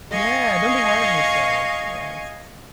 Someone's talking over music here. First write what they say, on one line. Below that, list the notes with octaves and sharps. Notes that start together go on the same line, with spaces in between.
Yeah, don't be hard on yourself, yes.
D#5 F5 G#5 C#6 D#6